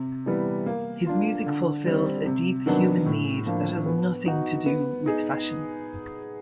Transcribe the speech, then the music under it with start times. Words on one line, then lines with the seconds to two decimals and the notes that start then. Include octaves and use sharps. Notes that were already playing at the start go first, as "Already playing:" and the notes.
His music fulfills a deep human need that has nothing to do with fashion.
Already playing: C3
0.26 E3 G3 B3
0.66 A#3
1.06 D4 F4
1.46 D3
1.86 G3 C4
2.26 C3
2.66 D#3 F#3 B3 D4
3.06 A2
3.46 F3 A#3 D4
3.86 B3
4.26 D#4 F#4
4.66 B3
5.06 D#4 G#4